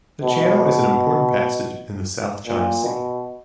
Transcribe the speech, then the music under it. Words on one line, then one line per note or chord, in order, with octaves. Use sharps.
The channel is an important passage in the South China Sea.
B2
A#2
B2